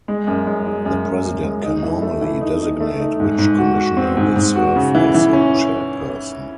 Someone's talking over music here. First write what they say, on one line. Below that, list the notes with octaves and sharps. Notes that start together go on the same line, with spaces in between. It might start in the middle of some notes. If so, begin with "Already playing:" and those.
The president can normally designate which commissioner will serve as the chairperson.
G#3
F#2
G#3
G#3
F#2
F#2
F#2
G#3
D#4
E3
A3
E3
D#4
D#4
A3
D#4
G#2
G#2
F#4
F#4
C4
G#2
G#2
F#4
C#3
E3
E3
C#4